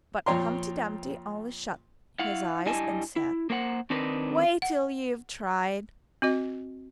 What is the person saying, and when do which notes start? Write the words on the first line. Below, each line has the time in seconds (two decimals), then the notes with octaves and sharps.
But Humpty Dumpty only shut his eyes and said 'Wait till you've tried.'
0.26 F2 A#2 C#5 G5 A#5 C6
2.19 E4 F5 F#5
2.66 G2 G3 E4 D#5 G#5 A5
3.16 E4
3.50 A#3 A#4 C5 F#5
3.90 D#3 C4 D4 D#4 A#4 B4
4.62 F#5
6.22 C4 F#4 D#5